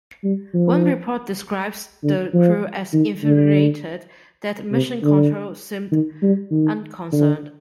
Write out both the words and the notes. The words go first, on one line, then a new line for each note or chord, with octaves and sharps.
One report describes the crew as "infuriated" that Mission Control seemed unconcerned.
G3
F3
D3
F3
D#3
D3
C3
D3
D#3
G3
D#3
D3